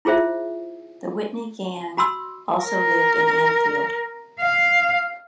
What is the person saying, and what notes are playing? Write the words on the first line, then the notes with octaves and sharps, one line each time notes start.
The Whitney gang also lived in Anfield.
E4 F4 G#4 C5 E5
F#4 B5 C6 E6
A#4
F5